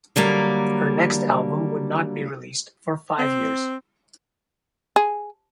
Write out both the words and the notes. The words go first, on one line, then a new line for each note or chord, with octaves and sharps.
Her next album would not be released for five years.
D3 F#3 G3 A#3
C4
G#4